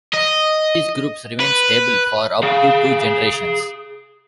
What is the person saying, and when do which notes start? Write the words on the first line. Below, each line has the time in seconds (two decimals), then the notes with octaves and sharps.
These groups remain stable for up to two generations.
0.14 D#5
1.40 B4
2.43 G#4 F5